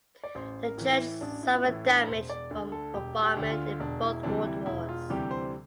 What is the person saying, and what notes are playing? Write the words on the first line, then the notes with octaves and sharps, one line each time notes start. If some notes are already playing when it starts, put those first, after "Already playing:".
The church suffered damage from bombardment in both World Wars.
D5
A1 C5
A#4
A2 E3
E4
A1 D4
E4
F4
A2 E3 E4
D4
E1 C5
D5
D2 D3
A4
E1 G4
G4
D2 D3
F4
E1 D4
E4
D2 C3 E3 G3 D4
E4
E1 E4
F4
D2 C3 E3 G3 G4
C5